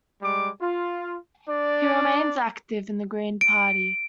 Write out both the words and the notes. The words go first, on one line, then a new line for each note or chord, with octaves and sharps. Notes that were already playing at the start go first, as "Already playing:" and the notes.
He remains active in the Green Party.
G3 G#3 D6
F4
D4 D5
D7